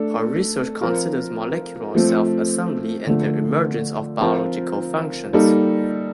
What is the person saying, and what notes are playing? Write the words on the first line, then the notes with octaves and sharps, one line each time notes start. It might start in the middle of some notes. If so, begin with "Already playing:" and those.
Her research considers molecular self assembly and the emergence of biological functions.
Already playing: A3 D4 A4
F3 C4 F4 A#4
F3 A3 C4
D3 F3 A3
F3 C4 F4 A#4
G3 A#3 D#4 A4